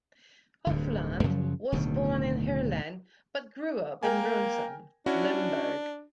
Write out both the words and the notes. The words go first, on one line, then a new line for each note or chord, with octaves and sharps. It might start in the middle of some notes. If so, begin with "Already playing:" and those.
Hofland was born in Heerlen, but grew up in Brunssum, Limburg.
D1 G2 D3
F#2 C#3 F3 F#3
D1 D2 B2 D#3
A#3 A#4 G5 G#5
C#4 D4 E4 F#4